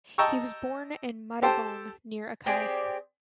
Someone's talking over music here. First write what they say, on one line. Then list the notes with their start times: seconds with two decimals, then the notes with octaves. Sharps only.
He was born in Montabone near Acqui.
0.18 D#5 G5 A5 A#5 C#6 E6
1.42 G4 A4 C5 G5 A5
2.46 C4 G4 G#4 D5